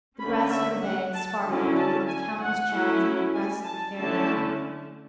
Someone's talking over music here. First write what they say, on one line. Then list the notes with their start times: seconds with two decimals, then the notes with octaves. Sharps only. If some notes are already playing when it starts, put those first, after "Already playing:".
The breast of the bay sparkled with its countless gems like the breast of a fair woman.
0.19 D3 A3 C#4 B5
0.51 E5
0.82 F#5
1.14 A5
1.45 D3 F#3 C#4 E4
1.77 A5
2.08 G#5
2.40 F#5
2.71 F#3 A3 C#4 E4
3.34 G#5
3.64 A5
3.96 D3 A3 C#4 E4 A5